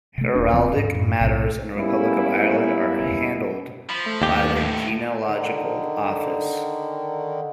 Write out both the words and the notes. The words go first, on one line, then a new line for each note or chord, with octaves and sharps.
Heraldic matters in the Republic of Ireland are handled by the Genealogical Office.
C3 A3
D#1 D4
D1 C3 F3 C4
G#2
F#2 A2
B1 A2 C3
G3 A#3 B3 C#4 E4
F3 B5
A3
D#2 G4
D2 A2
D3 D#3